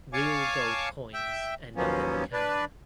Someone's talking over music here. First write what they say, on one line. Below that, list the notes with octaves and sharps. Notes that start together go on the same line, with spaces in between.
Real gold coins end up in the cannon.
C#5 F5 G#5 A5 C#6 D6
E5 G5
D#2 F3 F#3 A#3 B3 C#4
D4 B4 D5